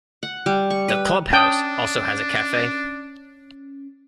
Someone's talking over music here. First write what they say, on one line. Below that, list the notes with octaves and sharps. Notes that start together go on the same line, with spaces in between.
The Clubhouse also has a cafe.
F#5
G3
C#6
B4
C#4 D4 G5 A5 D#6